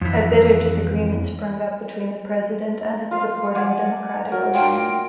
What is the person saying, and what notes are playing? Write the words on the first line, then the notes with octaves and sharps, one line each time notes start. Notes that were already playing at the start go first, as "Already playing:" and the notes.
A bitter disagreement sprung up between the president and its supporting Democratic Alliance.
F2 E3
F4 F5
D5 F#5 G#5
F#3 A#4
F4 G5